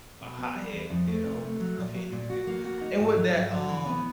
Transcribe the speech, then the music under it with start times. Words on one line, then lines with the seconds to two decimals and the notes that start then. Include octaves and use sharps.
a hothead who did a whole bunch of stuff he didn't need to do. And with that, um
0.21 B2
0.38 B3
0.55 G3
0.73 E2
0.90 F2
1.08 A3
1.25 C3
1.43 A3
1.60 F#3
1.77 A#2
1.95 F#3
2.12 A#2
2.30 F#4
2.47 A#3
2.64 F#4
2.81 D#4
3.00 G#2
3.16 F#3
3.34 G#2
3.52 F#3
3.69 E3
3.86 B3